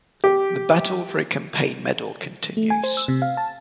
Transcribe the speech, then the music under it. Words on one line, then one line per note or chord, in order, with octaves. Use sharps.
The battle for a campaign medal continues.
G4
A3
G#5
C5
E6
C3
F5
A5